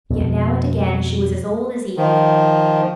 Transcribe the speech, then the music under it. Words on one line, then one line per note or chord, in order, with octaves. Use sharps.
Yet now and again she was as old as Eve.
F2 B2
D#3 F3